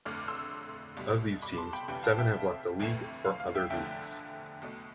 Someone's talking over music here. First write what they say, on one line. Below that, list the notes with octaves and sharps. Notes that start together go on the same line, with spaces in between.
Of these teams, seven have left the league for other leagues.
G1 F2 D3 A3 D6 F6
C6 E6
C2 B2 G3
B5 D6
A5 C6
G5 B5
D2 C3 E3 G3 G5 B5
F5 A5
E5 G5
G1 F2 E3 A3
F5
F5
E5 G5
E2 D3 F3 A3 E5 G5
B1 B2 A3